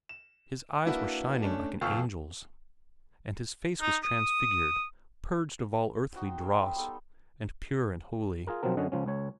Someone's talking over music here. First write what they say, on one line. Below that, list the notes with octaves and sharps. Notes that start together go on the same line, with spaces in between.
His eyes were shining like an angel's, and his face was transfigured, purged of all earthly dross, and pure and holy.
E7
A#3 D4 E4 F#4 B4
A3 C#4 D4
F1 F3 F4 C#6 E6 F6
D#4
D#6
D#4 F#4 C5 G5
C4 G#4 A#4 G5
E5 B5 C6
G3 B3 D#4 A4
F4 G#4 A#4
B1 B2 F3 F#3 C4 A#4
F#2 D3 C#4 D#5 F#5
C#2 F3 C#4
C#2 C#5